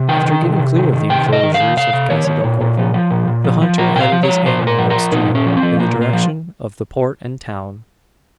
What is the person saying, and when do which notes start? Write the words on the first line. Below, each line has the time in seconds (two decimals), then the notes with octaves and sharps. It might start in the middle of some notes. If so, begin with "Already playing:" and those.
After getting clear of the enclosures of Casa del Corvo, the hunter headed his animal up stream--in the direction of the Port and town.
Already playing: C3
0.09 D#3 G5
0.25 D#3
0.42 C3
0.59 C3
0.76 D#3
0.93 D#3
1.09 C3 G5
1.26 C3
1.33 D#5
1.43 D#3
1.54 F5
1.60 D#3
1.77 C3 F5
1.93 C3
2.10 D#3 C#5
2.27 D#3
2.44 A#2
2.61 A#2
2.78 F3
2.94 F3
3.11 A#2
3.27 A#2
3.44 F3
3.62 F3
3.78 A#2 A#4
3.95 A#2 G5
4.01 F5
4.12 F3
4.23 F3 C#5
4.45 A#2 C5
4.61 A#2
4.67 A#4
4.78 F3
4.90 A#4
4.95 F3
5.12 A#2 D#4
5.29 A#2
5.35 C#4
5.46 F3
5.57 C4
5.62 F3
5.79 A#2 A#3
5.96 A#2
6.01 A#3
6.13 F3